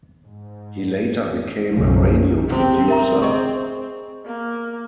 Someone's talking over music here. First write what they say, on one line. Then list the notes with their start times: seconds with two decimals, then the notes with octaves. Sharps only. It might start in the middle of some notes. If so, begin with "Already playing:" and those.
He later became a radio producer.
0.25 G#2
1.70 B1 F#2 C#3 F3 F#3 A3
2.49 C3 G#3 C4 G4
2.88 G#2 A#4 E5 A#5
3.22 G#4 D5 D#5 C#6
4.25 A#3